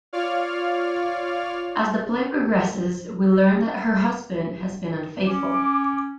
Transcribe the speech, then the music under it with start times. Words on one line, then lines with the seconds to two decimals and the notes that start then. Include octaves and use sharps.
As the play progresses, we learn that her husband has been unfaithful.
0.13 F4 C#5 D5 F5 F6
5.26 C#4 D6